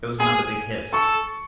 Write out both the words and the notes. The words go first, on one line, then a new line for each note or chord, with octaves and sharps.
It was another big hit.
G#4 G#5
A4 C#6